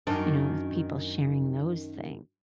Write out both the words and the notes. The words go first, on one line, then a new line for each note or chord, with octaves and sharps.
you know, with people sharing those things.
F#2 D#3 D4